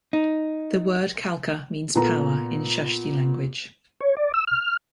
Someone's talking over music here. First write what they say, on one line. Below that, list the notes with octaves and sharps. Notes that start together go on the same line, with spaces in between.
The word Kalka means power in Shashthi language.
D#4
A#2 B3 A4 A#5
C#5
D5
E6
F6